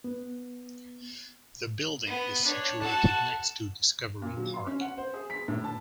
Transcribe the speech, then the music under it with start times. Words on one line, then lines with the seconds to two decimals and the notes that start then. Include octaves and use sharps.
The building is situated next to Discovery Park.
0.04 B3
2.07 B3
2.45 D4 C#5
2.82 F#4 A4 F#5 A5
4.22 A#2
4.37 F#3
4.54 C6
4.66 C#4
4.81 F#5
4.98 C5
5.14 G#4
5.30 B6
5.48 A2
5.64 A5